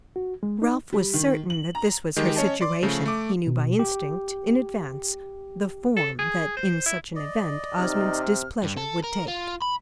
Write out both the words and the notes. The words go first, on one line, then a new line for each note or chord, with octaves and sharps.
Ralph was certain that this was her situation; he knew by instinct, in advance, the form that in such an event Osmond's displeasure would take.
F#4
G#3
D#4
G3
D#3
F#7
A#5
D#3 G#3 G4
C#4 C#5 D#5 A5
D5 C6 D6
C#3 F3 A3
A3 D6
B2
G4
A4
G#4
C5
E4
D5 D#5
C3 D#4 F6
G2
A4
A#4
F4
B5